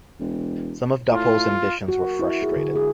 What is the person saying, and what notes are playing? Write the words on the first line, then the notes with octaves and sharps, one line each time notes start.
Some of Dapol's ambitions were frustrated.
E1
A2 F4
F#4
A#4
E4
G#4
D3
G#4